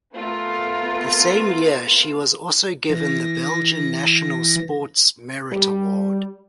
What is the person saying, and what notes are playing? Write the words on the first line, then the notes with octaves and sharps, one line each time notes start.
The same year she was also given the Belgian National Sports Merit Award.
A3 B3 F4 A#4
E3 A#6
G3